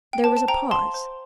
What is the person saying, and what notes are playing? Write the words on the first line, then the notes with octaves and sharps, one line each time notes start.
There was a pause.
G5
C5 A5
A5
C5 G5 A#5
F5 A5 C6
C5